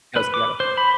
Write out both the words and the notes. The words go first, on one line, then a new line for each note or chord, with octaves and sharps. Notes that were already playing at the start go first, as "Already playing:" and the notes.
goes together.
B4
D6
C5
B5